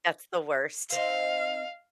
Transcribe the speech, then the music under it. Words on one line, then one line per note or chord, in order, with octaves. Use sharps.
That's the worst.
C4 D#4 F5